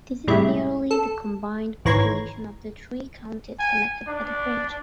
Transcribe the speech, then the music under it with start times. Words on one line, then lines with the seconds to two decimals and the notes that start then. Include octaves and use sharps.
This is nearly the combined population of the three counties connected by the bridge.
0.28 A2 C3 G3 G#3 E4
0.91 A4
1.85 G#1 E3 C#5 A#5 C6 G#6
3.59 G#5
4.07 D4